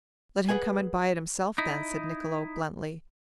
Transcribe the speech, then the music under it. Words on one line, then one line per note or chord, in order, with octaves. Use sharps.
"Let him come and buy it himself, then," said Niccolo, bluntly.
G#4 B4 F#5 G#5
D#4 E4